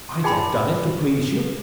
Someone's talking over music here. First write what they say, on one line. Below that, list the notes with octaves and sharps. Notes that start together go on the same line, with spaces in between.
"I'd have done it to please you."
D#4 G#4 G5 G#5 B5 C6